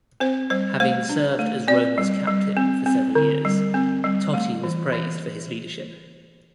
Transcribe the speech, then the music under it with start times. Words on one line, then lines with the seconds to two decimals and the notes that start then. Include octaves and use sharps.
Having served as Roma's captain for several years, Totti was praised for his leadership.
0.20 C4 C5
0.50 G3 C5
0.80 A3 C5
1.09 D4
1.39 A3
1.68 C4 D5
1.98 G3
2.27 G3
2.57 C4
2.86 C4
3.15 D3
3.45 G3
3.74 C4
4.04 G3
4.34 A3
4.63 E3
4.92 E3